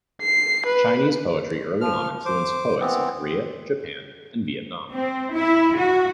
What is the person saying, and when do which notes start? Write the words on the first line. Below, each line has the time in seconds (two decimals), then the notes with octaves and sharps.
Chinese poetry early on influenced poets in Korea, Japan, and Vietnam.
0.21 C7
0.66 B4
1.81 F3 F6
2.25 C5 D6
2.80 E3 B3 C4
4.92 C4
5.35 E4
5.79 F#4